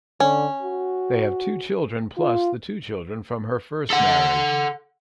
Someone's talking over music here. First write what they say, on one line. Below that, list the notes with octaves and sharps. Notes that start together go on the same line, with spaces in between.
They have two children plus the two children from her first marriage.
D3 C#4
F#4
F4
A4 F#5